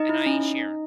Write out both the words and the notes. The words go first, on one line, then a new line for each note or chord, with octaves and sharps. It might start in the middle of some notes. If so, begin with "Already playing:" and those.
and I ain't sharing."
Already playing: D#4 D#5
E4
C#4